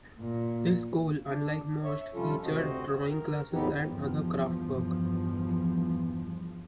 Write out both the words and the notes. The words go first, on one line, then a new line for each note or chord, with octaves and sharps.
This school, unlike most, featured drawing classes and other craftwork.
A#2
D4
C#5 E5
C3 F3 G3 C#4 F4 A4
D2 C3 C4 F#4 C5 D#5
A#4
E2 A2 B3 C4 D#4 G4
E2 G2 F3